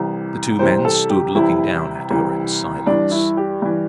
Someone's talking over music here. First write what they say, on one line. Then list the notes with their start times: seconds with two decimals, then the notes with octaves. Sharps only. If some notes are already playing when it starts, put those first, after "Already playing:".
The two men stood looking down at her in silence.
Already playing: C2 C3 E3
0.59 C2 C3 E3 C5
0.85 A4
1.10 G4
1.35 C2 C3 E3 E4
2.11 C2 C3 E3
2.86 G2 E3 D4
3.11 E4
3.37 G4
3.62 G2 E3